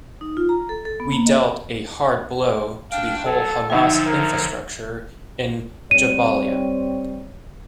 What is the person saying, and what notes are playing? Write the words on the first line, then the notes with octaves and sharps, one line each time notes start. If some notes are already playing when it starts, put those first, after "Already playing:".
We dealt a hard blow to the whole Hamas infrastructure in Jabalia.
D#4
F4
A#5
A4
A4
B3
A#3
D#5
D4 F5 G5
F#3 A4
D3 F3 F#3 D#4 E5 G5
A#4 E5
G3 C4 C#5 D#7